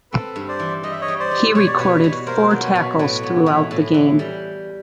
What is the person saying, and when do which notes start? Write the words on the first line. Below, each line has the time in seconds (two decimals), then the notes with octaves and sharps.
He recorded four tackles throughout the game.
0.11 C4 A4 B4
0.36 G2
0.48 C5 D5
0.59 E3
0.83 G3 D#5
0.92 E5
1.01 C#5 D#5
1.08 G3
1.20 C5 D5
1.31 G3
1.55 B2 C#5
1.67 D5
1.78 B2 B4 C#5
2.04 B2
2.27 A#3 A#4 C5
2.51 F#3
2.63 B4 C#5
2.76 B2
2.99 A2 B4 C#5
3.23 B3
3.34 B4 C#5
3.46 E3
3.71 A2
3.94 E3
4.19 G3